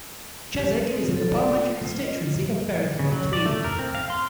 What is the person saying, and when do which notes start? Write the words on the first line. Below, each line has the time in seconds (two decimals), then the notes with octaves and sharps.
Cheswick is in the parliamentary constituency of Berwick-upon-Tweed.
0.58 G4
0.75 B4
0.88 C4
1.02 F4
1.16 A4
1.30 D5
1.55 F4
1.77 A3
1.91 F4
2.03 D#5
2.99 C#3
3.12 F#3
3.33 D5
3.46 A3
3.64 A#4
3.79 C4
3.95 F5
4.10 C6